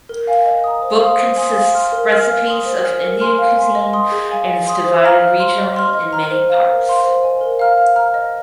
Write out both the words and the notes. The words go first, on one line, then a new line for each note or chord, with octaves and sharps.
Book consists recipes of Indian cuisine and is divided regionally in many parts.
A#4
F5 G#5
D#5
A#5 D#6
C5
F5 C6 D#6
C5
G#5 C6 D#6
F5
C6 F6
A#4
G#5 F6
F5
C6 D#6
C5
G#5 F6
A#4
G#5 C6 F6
F5
G#5 C6
D#5
C6 D#6
G#4
F5 G#5
F5
C6 D#6
C5
F5 A#5 F6
F5
C6 F6
D#5
C6 F6
D#5
A#5 F6
C5
F5 A#5 F6
A#4
F5 C6
C5
D#5 G#5
A#4
F5 A#5 F6
F5
A#5 F6
D#5